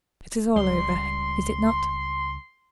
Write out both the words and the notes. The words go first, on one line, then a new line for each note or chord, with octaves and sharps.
It is all over, is it not?
C#2 G3 C6